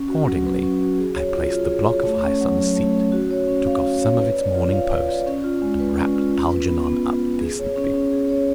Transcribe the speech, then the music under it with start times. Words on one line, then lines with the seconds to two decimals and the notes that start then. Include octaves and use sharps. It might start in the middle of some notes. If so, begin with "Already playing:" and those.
Accordingly, I placed the block of ice on the seat, took off some of its "Morning Post," and wrapped Algernon up decently.
Already playing: C#4
0.08 F#4
0.26 F#3
0.45 B4
0.63 C#4
0.81 F#4
0.98 G#4
1.15 C#5
1.34 F4
1.52 F4
1.70 G#4
1.87 C#5
2.05 A3
2.23 C#4
2.41 F#3
2.59 F#3
2.76 A3
2.94 C#4
3.12 F#4
3.31 C#5
3.48 C#4
3.66 F5
3.84 F#4
4.02 C#5
4.19 B4
4.37 D5
4.55 F4
4.73 F5
4.91 B4
5.09 D5
5.26 C#4
5.44 F4
5.62 G#3
5.80 B4
5.97 C#4
6.16 F4
6.33 F4
6.51 B4
6.69 B3
6.87 B3
7.04 F4
7.22 B4
7.41 G#4
7.59 C#5
7.76 C#4
7.94 C#4
8.12 G#4
8.29 C#5